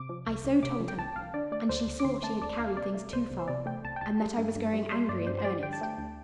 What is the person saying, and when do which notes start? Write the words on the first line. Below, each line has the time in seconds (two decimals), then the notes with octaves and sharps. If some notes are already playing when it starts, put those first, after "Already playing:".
I so told her, and she saw she had carried things too far, and that I was growing angry in earnest.
Already playing: C3 D6
0.09 F3
0.27 C2
0.45 C2
0.63 C3 D6
0.80 F3
0.88 G5
0.98 C2 A5
1.16 C2 F5
1.34 D3 D5
1.52 A3 D5
1.69 D2 C5
1.87 D2
2.00 D6
2.05 D3 C6
2.23 A3 A5
2.41 D2 D5
2.58 D2 F5
2.77 C3 D5
2.94 A3
3.12 C2 C5
3.30 C2
3.39 C5
3.48 C3 D5
3.66 A3 G5
3.84 C2 A5
3.96 G5
4.01 C2 A5
4.20 G3
4.38 G2
4.56 G2
4.73 G3
4.91 G3 C6
5.09 G2 D5
5.27 G2 C5
5.39 C5
5.44 G3 D5
5.63 D3 G5
5.73 A5
5.81 A3 G5
5.98 D2